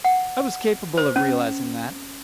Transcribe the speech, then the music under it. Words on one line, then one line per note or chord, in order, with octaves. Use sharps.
I was capable of realising that.
F#5
C5
C#4